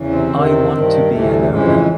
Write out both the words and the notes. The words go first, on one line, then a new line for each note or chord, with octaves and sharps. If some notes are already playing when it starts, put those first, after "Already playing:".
I want to be an owner.
Already playing: E2 C#3 E3
C3 C4
E2 C3 D#3
G2 D#3
D2 A2 C3 E3 A3
F2 G#2 C#3 E3 G#3